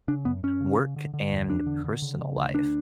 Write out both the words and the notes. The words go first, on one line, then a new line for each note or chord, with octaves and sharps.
work and personal life.
C#3 D4
F#2 B3
F#2 C#4
C#3
C#3
D3
D3
E2
E2 D4
D3
D3
C#3
C#3
D2
D2 D4